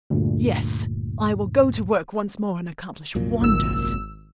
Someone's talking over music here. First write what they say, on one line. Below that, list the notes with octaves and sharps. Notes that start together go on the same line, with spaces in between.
Yes, I will go to work once more and accomplish wonders.
D2 G2 A#2
C2 F#2 A#2
G#1 E6